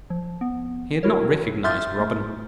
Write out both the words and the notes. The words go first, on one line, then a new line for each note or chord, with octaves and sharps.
He had not recognized Robin.
F3
B3
E4 F#4 A#4 C#5
E5 C6 F6 G6 A6
A3